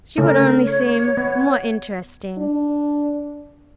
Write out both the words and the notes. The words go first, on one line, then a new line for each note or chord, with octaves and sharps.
"She would only seem more interesting."
C#3 A3 C#4 A#4
C#5
B3
D4